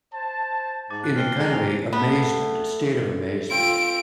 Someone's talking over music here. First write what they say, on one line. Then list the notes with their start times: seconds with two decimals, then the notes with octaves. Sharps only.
in a kind of a amazement, a state of amazement,
0.13 C5 A5
0.90 G#2 A5 D6 A6
1.04 F#6
1.16 C4 F6 C7 G7
1.40 G#3 A#5 A#6
1.53 C4 F7
1.93 A3 B3
3.50 C4 F4 D7